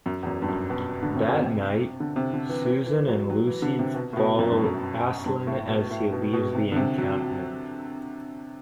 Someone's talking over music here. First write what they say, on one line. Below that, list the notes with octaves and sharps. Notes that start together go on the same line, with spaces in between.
That night, Susan and Lucy follow Aslan as he leaves the encampment.
F#2
E2
F#2
G2
F#2
B2
D3
C3
B2
C3
D3
C3
D3
E3
E3
E3
F#3
F#3
E3
D3
C3
B2
A2
B2
F#2
G2
F#2
G2
A2
B2
A2
B2
B2
C3
D3
C3
F#3